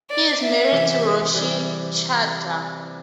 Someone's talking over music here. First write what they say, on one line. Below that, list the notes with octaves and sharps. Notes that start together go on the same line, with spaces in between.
He is married to Roshi Chadha.
D5
E5
C3 E3
E3 G3